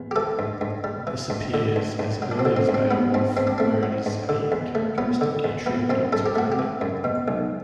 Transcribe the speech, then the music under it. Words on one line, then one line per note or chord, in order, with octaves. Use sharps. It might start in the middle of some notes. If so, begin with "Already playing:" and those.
This appears as early as Beowulf where it is a characteristic attributed to Grendel.
Already playing: E2
G4
E3 A4
G2
G2
G3
E3
G2
D3
G2
G2
F#3
D4
C4
D3
C4
G2
C4
F#3 B3
G2 C4
G2 C4
D4
A3 C4
F#3
G2
D3
E2
A3
F#3 B3
D3
E2
E3 B3
F#2 C4
F#2 A4
G4
A3 F#4
G4
E3
F#2
B2
B1